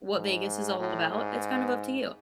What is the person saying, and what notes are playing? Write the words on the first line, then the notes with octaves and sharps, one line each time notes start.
what Vegas is all about, it's kind of up to you.
G#2
A2
G#2